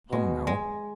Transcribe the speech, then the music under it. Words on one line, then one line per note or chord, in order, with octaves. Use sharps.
Come, now!
B2 G#3
G#3